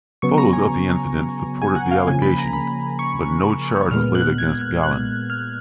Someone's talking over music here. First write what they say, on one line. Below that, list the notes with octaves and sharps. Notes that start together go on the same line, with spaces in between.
Photos of the incident supported the allegation, but no charge was laid against Gallen.
C#3 F#3 B3 C#6
A#5
G#5
G#5
F#5
F5
C#3 F3 A#3 G#5
B5
A#5
B5
C#6
A#2 G#3 B3 F6
F#6
G#6
F#6
F6